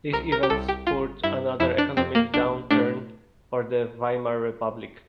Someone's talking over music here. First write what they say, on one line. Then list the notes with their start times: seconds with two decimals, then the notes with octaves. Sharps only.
This event spurred another economic downturn for the Weimar Republic.
0.13 C2 A#4
0.32 A#4
0.43 G4
0.50 C2 A4
0.69 G4
0.87 G1 F4
1.23 G2 E4
1.60 F2 E4
1.78 D4
1.97 F2 C4
2.15 A#3
2.34 A#1 D4
2.71 A2 D4